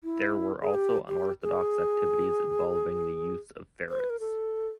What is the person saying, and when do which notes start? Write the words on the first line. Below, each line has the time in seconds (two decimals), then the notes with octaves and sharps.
There were also unorthodox activities involving the use of ferrets.
0.04 E4
0.62 G#4
0.74 G4
1.08 G4
1.43 G#4
3.90 C5
4.00 B4
4.10 A#4
4.20 A4